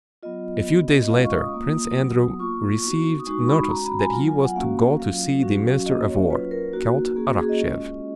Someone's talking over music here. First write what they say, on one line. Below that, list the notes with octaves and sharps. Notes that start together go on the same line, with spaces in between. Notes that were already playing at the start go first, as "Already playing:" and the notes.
A few days later Prince Andrew received notice that he was to go to see the Minister of War, Count Arakcheev.
F#3 B3 F4 D#5
B3 F#4
D#5
G#3 C#4 F4 F5
C#6
D#6
A#3 F4
F#3 B3 F#4
A#3 F4 C#6
B3 D#4 F#4
D#6
G#3 D#4 F#4 C#6
B5
G#3 C#4 F#4 A#5
B5
G#5
F#3 B3 F4
G#5
F#5
A#3 C#4 F#4 F5
F#3 C#4 F4 F5
F#3 C#4 F#4
A#3 C#4 F#4 D#5
C#5
F#3 C#4 F4 B4
A#4
A#3 D#4 F#4
A#3 C#4 F#4 G#4
F#4
G#4
D#5
G#3 C#4 F4